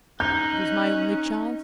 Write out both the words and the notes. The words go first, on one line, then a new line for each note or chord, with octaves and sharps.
It was my only chance.
C#4 D#4 F#6 G6